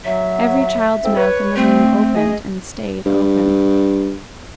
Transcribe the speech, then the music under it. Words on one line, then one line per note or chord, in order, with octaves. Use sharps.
Every child's mouth in the room opened, and stayed open.
F#3 E5
F2 G#2 C4
B4 C#5
A3 C4
G#4 D#5
G2